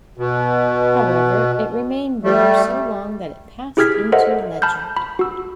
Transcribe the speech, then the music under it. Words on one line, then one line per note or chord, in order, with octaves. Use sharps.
However, it remained there so long that it passed into legend.
B2
G3 A3
E4 G4 G#4 F6 G#6 B6
A4 A#4 C5 D#5 E5 F#5
A5 B5 F6 G6
B5
F#4 E6